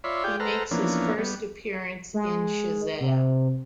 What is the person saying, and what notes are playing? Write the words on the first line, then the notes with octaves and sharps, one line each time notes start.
He makes his first appearance in Shazam!
F4 C#5 D5 E5 B5 C6
F4 G4 G#4 D5 G5
A4 B4 C5 F#5 A#5 F6
E3 F3 A#3 B3 C#4 D4
G3 B3
G#3
C3